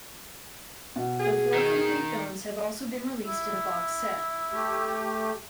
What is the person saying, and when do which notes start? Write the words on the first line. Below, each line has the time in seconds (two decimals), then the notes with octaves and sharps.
The four complete films have also been released in a box set.
0.96 B2
1.19 G#4
1.54 D#3
3.25 E4
4.52 A3 G4